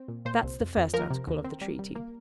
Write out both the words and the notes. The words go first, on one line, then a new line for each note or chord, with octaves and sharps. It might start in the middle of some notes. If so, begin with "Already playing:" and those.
That's the first article of the treaty.
Already playing: C4
A#2
A#2 C5
C2
F2
F2
F3 A#4
C3
D#2
C4
G3
G3
A#3